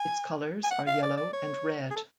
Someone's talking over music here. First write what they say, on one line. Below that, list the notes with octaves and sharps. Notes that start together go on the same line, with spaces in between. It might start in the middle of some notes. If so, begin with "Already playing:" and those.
Its colours are yellow and red.
Already playing: G#5
G#5
F#5
F5
D5
D5
C#5
G#4
A4